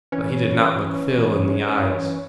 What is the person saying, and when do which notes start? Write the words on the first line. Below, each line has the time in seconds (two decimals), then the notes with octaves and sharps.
But he did not look Phil in the eyes.
0.12 E3 C#4 B4 C#5